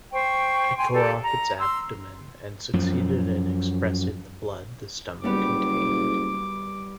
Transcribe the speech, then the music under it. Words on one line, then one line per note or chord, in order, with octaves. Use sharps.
I tore off its abdomen and succeeded in expressing the blood the stomach contained.
C5 G5 C#6
G5 G#5 C6
G4 A4 D5
A#5
C6 E6
F#2 F3
F#1 G3 B3 G4 D6